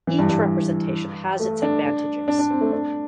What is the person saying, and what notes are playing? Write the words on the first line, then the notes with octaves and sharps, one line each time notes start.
Each representation has its advantages.
E3
G2
G2
G2
A3
D4
D4
D4
C4
A3
D4